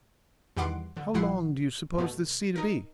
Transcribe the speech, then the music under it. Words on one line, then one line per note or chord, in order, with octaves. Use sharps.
"How long do you suppose this sea to be?"
E2 D#3 G3 F#5 C6 D6
D3
A#1 F3 E4 F#5 C7
G1 B2 A3
D#4 A#4